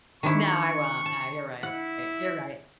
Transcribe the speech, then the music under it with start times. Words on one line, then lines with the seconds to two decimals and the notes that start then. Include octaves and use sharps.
No, I won't, nah, you're right, you're right.
0.23 D#3 D4 E4 C#6
1.06 A5
1.63 E4 F#5